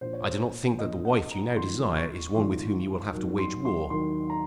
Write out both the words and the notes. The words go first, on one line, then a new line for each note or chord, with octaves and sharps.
I do not think that the wife you now desire is one with whom you will have to wage war.
A#1 A#2 F3 C5
C#5
C5
A#1 A#2 F3 D#5
F#5
A#5
G#1 G#2 F3 C6
C#6
G#1 G#2 F3 C6
D#2 D#3 F#3
C6
C6
D#2 D#3 F#3 C6
A#5